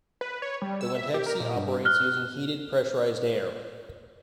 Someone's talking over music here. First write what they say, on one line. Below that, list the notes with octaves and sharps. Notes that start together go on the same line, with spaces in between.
The Windhexe operates using heated pressurized air.
B4
C#5
G3
E6
E5
G4
A#4
A#2
G2
F6 F#6 G7